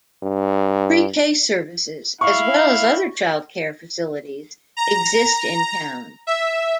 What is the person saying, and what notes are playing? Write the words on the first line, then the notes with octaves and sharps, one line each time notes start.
Pre-K services, as well as other child care facilities exist in town.
G2
E4 F5 C#6
A#5
E5